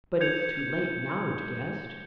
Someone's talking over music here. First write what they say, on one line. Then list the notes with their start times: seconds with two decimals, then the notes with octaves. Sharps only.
"But it's too late now, De Guest."
0.21 G6 G#6 C#7 F7